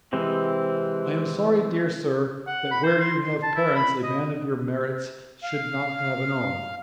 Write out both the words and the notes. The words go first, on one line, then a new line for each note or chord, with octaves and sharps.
I am sorry, dear Sir, that where you have parents, a man of your merits should not have an home.
C3 E3 G#3 C4
F#5
B5
C5
C6
C6
A5
E4
B5
D#5
F5